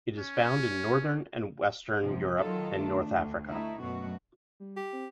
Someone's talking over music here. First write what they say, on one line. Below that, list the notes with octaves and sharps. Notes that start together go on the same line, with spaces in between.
It is found in northern and western Europe and north Africa.
C#4
G#2 C3 F3 G#3
D#3 F#3 D#4 F4 A4
A3 D4
D2
A3 D#4 E4
F#2 B2 A3 F#4
G3
G4
C4